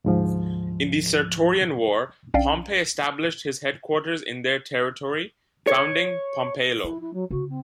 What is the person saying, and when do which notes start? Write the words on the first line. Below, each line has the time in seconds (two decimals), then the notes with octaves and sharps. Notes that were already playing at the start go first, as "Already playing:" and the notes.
In the Sertorian War, Pompey established his headquarters in their territory, founding Pompaelo.
0.05 D2 G#2 F3
2.34 B1 C#4 D4 D5 F5 G5
5.67 C#5
6.84 F3 E4
7.00 E4
7.13 F#3
7.31 C#3 E4 F#4
7.49 C4